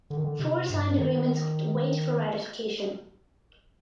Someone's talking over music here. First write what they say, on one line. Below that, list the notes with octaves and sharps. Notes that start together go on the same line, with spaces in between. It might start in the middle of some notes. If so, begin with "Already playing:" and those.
Four signed agreements wait for ratification.
D3
D#3
D3
C3
G2
D#3